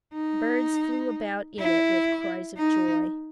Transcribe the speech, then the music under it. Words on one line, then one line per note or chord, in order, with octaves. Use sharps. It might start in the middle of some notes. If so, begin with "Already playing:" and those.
Birds flew about in it with cries of joy.
D#4
E4
D#4